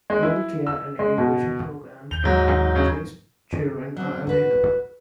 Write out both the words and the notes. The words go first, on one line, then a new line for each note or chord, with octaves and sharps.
Early care and education programs for pre-k children are available.
G#3
E4
E6
G#3
B2
D#2 G6 F7
G#2 F#3
C#3 F#3 C#4
F#3 C4
F#4 B4